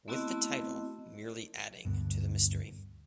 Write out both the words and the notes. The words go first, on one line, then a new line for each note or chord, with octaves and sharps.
With the title merely adding to the mystery.
A3 B3 C4 E4 F#4 D#5
D2 G2 B2